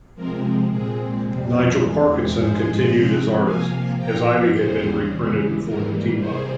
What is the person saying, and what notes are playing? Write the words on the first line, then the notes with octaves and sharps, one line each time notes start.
Nigel Parkinson continued as artist, as Ivy had been reprinted before the team up.
C3 F3 G#3 C4 A#4
A#2 G#3 C4 G#4
F2 C3 G3 C4
E2 E3 G#3 C4
G#2 F3 G#3 G#4 C5
C3 F3 G#3 C4
C3 F3 A#3 F5 G#5
A#2 F3 A#3 G5 A#5
E2 C#3 G3 G#4 C5
E2 C#3 E3 G#3
G#2 E3 G3 A#3 A#4
C3 G3 A#3 G#4 C5